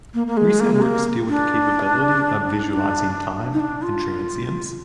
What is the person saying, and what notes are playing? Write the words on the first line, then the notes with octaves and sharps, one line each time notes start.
Recent works deal with the capability of visualizing time and transience.
A#3
A#3
G#3
A#3
G#3
A#3
D4
D4
D#4
D4
F4